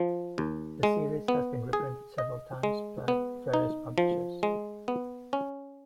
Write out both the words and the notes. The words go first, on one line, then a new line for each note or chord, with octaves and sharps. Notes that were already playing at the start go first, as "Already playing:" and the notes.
The series has been reprinted several times by various publishers.
Already playing: F3
D#2
G#3
B3
G#4
D#5
G#3
B3
D#4
F3
G#3
B3
C#4